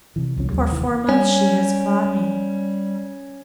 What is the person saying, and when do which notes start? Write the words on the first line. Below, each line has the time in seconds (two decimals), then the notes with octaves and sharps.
For four months she has fought me.
0.16 C3 E3
0.36 E1 C2 F3 C#4
0.50 A#1 D#2 F#3 G#3
0.73 F1 D#2 E3
1.09 G3 C#4